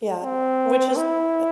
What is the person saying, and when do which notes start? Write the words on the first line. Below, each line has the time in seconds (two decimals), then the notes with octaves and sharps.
Yeah. Which is eh
0.22 C4
0.96 E4